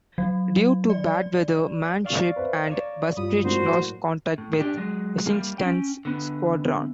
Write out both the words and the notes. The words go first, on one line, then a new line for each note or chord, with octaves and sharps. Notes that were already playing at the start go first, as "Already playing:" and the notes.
Due to bad weather, "Manship" and "Busbridge" lost contact with Essington's squadron.
F#3
D5
D5 F5 C#6
B4 C5 E5
C#5 D5 A#5 E7
G2 G3 F4 B5 D#6
A2 F#3 A#3 F#4 C5
A2
D4 G4
F#3 G#3
G3 A#3
C#4 G5
D3 B3